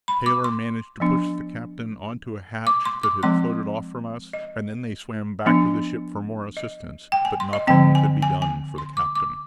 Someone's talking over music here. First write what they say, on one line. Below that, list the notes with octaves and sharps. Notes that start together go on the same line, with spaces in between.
Taylor managed to push the captain on to a hatch that had floated off from us and then they swam back to the ship for more assistance, but nothing could be done for the captain.
B5
D6
C6
F3 B3 D4
D6
C6
D6
F3 G#3 C4 C6
D#5
F3 B3 D4
D#5
G5
G#5
C6
D#5
D3 F3 C4 G5
G#5
G#5
G#5
C6
D6
D6